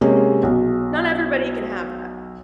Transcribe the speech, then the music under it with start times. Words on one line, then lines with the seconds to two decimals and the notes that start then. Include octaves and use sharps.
not everybody can have that.
0.01 C3 G#3 A#3 C#4
0.43 B1